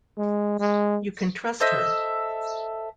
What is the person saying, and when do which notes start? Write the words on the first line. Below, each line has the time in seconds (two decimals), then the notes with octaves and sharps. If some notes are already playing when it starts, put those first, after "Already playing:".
You can trust her.
0.17 G#3
0.59 G#3
1.60 A4 C5 D#5 E5